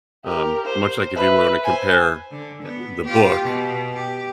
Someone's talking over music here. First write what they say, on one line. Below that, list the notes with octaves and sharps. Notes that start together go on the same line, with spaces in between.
um, much like if you wanna compare uh, the book
G4 A#4
C5
B4 E5
C5 G#5
D3
B3
F4 G4
B2
G4